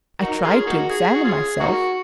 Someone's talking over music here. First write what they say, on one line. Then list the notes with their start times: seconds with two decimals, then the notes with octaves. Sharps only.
I tried to examine myself.
0.21 D#4 F#4 A#4
0.44 C#4 F4 G#4
0.66 A#3 D#4 F#4
0.90 G#4
1.14 F#4
1.25 C#4 F4 G#4
1.60 A#3 D#4 F#4